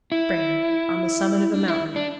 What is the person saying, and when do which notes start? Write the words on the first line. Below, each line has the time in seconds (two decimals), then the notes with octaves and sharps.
Spring.--On the summit of a mountain.
0.12 E4
1.54 D4
1.68 E4
1.96 D4